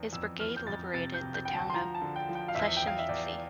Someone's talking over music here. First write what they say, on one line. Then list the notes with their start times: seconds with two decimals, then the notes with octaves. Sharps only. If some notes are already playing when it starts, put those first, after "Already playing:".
His brigade liberated the town of Pleshinitsy.
Already playing: E2
0.13 F2 E6
0.40 E3 F6
0.57 G6
0.67 F2 A6
0.93 C3 A6
1.14 G6
1.21 C3
1.34 G6
1.45 D2 G5
1.54 A5
1.70 C6
1.74 F3 A#5
1.94 A5
2.01 D3
2.16 G5
2.29 F3
2.35 G5
2.48 F5
2.55 E2 E5
2.77 G5
2.82 E2 F5
2.99 E5
3.09 E2 D5